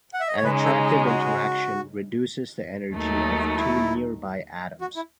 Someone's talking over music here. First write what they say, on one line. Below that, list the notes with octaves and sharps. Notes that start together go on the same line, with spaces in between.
An attractive interaction reduces the energy of two nearby atoms.
F#5
E5
D#5
C#5
C#3 G#3 D#4 B4
A4
G#4
F#4
D#2 D#3 F#3 A3 D#4
E4
F#4
E4